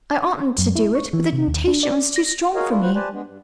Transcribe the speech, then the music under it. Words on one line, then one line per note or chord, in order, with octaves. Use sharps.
I oughtn't to do it, but the temptation was too strong for me.
F#2
E4
C#6
E3
C3
D#2
D4
D5
A#6
F#4 G#4 A#4 C#5 D#5 F5
A#3 D4 E4 F4
F4 F#4 B4 C5
G4 B4 C5 D5 G#5 A5
G#3 B3 D4
G2